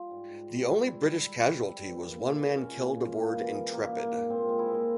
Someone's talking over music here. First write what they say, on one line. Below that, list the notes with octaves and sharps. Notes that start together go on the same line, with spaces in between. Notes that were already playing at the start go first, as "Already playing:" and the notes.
The only British casualty was one man killed aboard "Intrepid".
Already playing: G3 F4
G#2
G#2
G3
G3
G3 E4
G3
G3
G3
G3
G2
A#2
A#2
G#3
A#2 C#4
A#2
G#3
G#2 A#3
E3
G3
G3 A#3
G#2
A#3
G#2
A#2 C4
G#3
E4
A#2